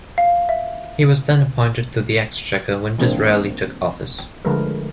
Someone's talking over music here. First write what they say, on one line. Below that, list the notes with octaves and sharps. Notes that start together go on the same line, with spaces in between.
He was then appointed to the Exchequer when Disraeli took office.
F5
E5
E3 G#3 A#3 C4 D4
D3 F3 G#3 A3 A#4 B4